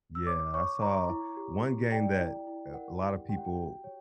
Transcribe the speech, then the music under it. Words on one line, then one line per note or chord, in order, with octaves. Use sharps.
Yeah, I saw one game that, uh, a lotta people
E6
C#5 D6
C#5 C#6
C#5 A#5
E4
G4
G4
D5 G5
E4
E4
A#4 F#5
G4
G4 G5
F#5
G5
F#4
C#5